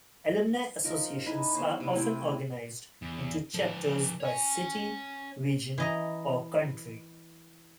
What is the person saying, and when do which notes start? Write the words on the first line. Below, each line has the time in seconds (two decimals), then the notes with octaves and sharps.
Alumni associations are often organized into chapters by city, region, or country.
0.84 F3 D#4 A#4
1.26 D#4 E4 B4 G#5
1.55 B3 C5 C#5
1.80 C3 G3 B3
1.93 A3 C4 E4 G5
3.02 E2
3.54 F3 B4
4.20 C#5 G#5
5.78 E3 D#5 A#5